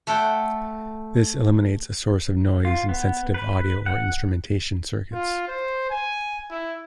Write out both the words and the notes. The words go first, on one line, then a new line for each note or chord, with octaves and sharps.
This eliminates a source of noise in sensitive audio or instrumentation circuits.
A3 A4 F#5 G5
F4
B3
B4
F#5
F4
C5
G#5
E4